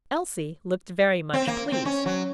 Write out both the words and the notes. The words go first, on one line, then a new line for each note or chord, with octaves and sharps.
Elsie looked very much pleased.
C4
A#3
C4
C#4
F#3